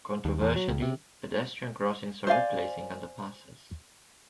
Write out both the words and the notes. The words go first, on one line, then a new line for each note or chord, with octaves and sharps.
Controversially, pedestrian crossings are replacing underpasses.
D#2
E2
F#3
C#2
C3
C5 D5 F5 G#5